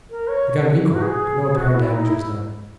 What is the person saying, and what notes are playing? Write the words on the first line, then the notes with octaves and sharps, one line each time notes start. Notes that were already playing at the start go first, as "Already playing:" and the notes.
The gun recoiled, but no apparent damage was done.
A#4
C#5
E4
F#4
G#4
F#4
E4
D#4
E4